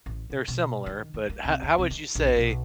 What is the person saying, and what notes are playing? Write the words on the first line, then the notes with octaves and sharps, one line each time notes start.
They're similar, but ho how would you say
A1
B2
B2
D#3
D#3
A#3
C2
D#2
C2
D#4
A#1
B1